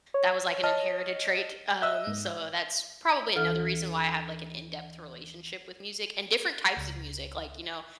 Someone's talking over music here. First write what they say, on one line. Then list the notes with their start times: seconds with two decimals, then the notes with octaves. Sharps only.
that was like an inherited trait. Um, so that's probably another reason why I have, like, an in-depth relationship with music, and different types of music. Like, you know,
0.14 C#5
0.63 D#5 A5 F6
1.82 D#5 E5 E6 F#6
2.07 G#2
3.36 D2 E3 A4 F6
6.77 C#2